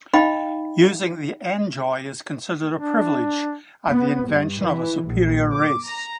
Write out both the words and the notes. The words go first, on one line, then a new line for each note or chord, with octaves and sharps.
Using the Endjoy is considered a privilege and the invention of a superior race.
D#4 D#5 F5 G5 B5
D4
B3
G2
E3
A#1
D6
A#5